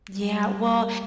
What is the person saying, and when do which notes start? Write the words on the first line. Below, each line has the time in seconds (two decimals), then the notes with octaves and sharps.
Yeah, well,
0.22 G3